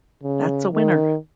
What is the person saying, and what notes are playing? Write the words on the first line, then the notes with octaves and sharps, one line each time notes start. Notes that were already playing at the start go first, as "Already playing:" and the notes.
That's a winner!
C#3
D#3